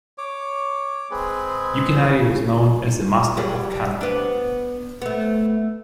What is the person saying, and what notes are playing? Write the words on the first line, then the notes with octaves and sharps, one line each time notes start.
Yukinari was known as the master of kana.
C#5 D6
G#3 C4 G#4 B4
F#3 G3 G#4
G3
B3 D4
A3 B3